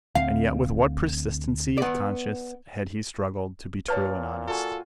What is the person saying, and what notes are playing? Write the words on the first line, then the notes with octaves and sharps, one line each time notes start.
And yet with what persistency of conscience had he struggled to be true and honest!
D2 A3 C4 F5
B3 D5
A#2 B4 C#5 A5 F6
F4 F#4 A4 G#5